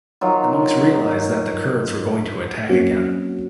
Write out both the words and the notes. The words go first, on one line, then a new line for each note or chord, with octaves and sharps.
The monks realized that the Kurds were going to attack again.
D#3 F#3 F4
F#3 A#3 C4 C#4 F#4